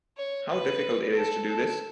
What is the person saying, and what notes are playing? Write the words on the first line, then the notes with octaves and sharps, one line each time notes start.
How difficult it is to do this?
C#5
B4
A4
A4